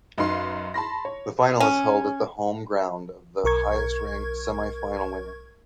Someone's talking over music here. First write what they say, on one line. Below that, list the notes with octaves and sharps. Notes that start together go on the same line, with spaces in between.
The final is held at the home ground of the highest ranked semi-final winner.
F#2 D#4 B4 F5 C6
A5 B5 C6 A#6
C#5
C#4
B1 A#4 C#6 G#6